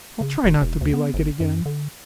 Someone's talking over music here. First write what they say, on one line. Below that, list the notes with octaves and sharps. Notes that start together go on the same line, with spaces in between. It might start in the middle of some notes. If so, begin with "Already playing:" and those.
I'll try not to be like it again.
C#3
E1
E1
D2
B3
G1
F#2
D3